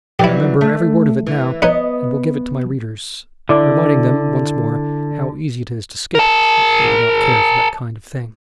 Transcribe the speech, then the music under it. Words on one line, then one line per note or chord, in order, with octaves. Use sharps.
I remember every word of it now, and will give it to my readers, reminding them once more how easy it is to skip it, if they do not care for that kind of thing.
E3 F#3 G3 E4 G4
A3
E3
B3 D#4 B4 C#5 D#5
D3 E4 D5 D6
A#4 A5